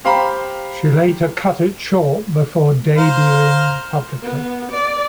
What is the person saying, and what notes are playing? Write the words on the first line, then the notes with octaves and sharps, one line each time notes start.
She later cut it short before debuting publicly.
G4 C5 F5 G5 A#5 B5
C5 F5 A#5
B3
D5